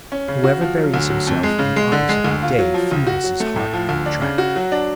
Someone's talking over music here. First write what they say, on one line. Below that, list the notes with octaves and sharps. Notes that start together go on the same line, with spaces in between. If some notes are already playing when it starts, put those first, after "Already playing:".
Whoever buries himself in the opposite of day feels his heart contract.
C#4
C#3
F#4
F3
F#3
D2
F#3
F2
G#3
C#3
G#3
D3
G#3
D2
F4
F#3
F3
C#2
F#4
F#3
A3
A2
F3
D2
D4
C#3
F#4
F#3
D4